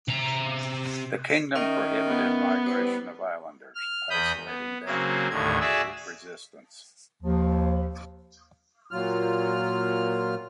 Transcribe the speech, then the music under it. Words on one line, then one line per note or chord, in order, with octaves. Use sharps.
The kingdom prohibited migration of islanders, isolating them to prevent group resistance.
C3 A#5
D#3 C#4 A#4 E5
B3
G3 E4 B4 C5
F6
E2 B5 D#6 G6
B3
C#3 F#3 A#3 C4
D#2 A2 D3 G#6
F#4 G#4 D5 E5 E6
D#2 F3
A#2 F#3 F4 F6